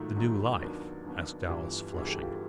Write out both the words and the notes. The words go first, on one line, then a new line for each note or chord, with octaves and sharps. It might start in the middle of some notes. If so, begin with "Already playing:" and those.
"The new life?" asked Alice, flushing.
Already playing: G#2 D#3 F#3 A3 D#4 F4
G#2 D#3 F#3 A3
D#2 D#3 F#3 B3 D4
D#2 D#3 F#3 B3 D4
G1 G2 E3 F4 G4
G1 G2 E3 F#4 G#4
G4 A4
F4 G4